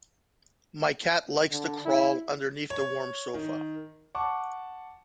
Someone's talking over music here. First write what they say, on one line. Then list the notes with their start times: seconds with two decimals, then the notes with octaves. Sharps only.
My cat likes to crawl underneath the warm sofa.
1.51 D3
1.85 E4
2.70 C#5
3.34 D#3
4.15 F#5 A5 C#6 D6